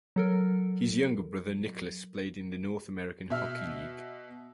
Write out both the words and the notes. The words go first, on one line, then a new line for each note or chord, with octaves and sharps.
His younger brother Nicholas played in the North American Hockey League.
F#3 A4 A#4
B2 E5 F6